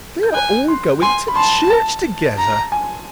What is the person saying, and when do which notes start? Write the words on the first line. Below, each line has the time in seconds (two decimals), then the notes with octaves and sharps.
They are all going to church together.
0.23 G6
0.35 G#5 F#6
0.68 C6
1.02 G#5 C6
1.28 B5
1.36 A5 C6
1.70 A5
2.38 A#5
2.72 G#5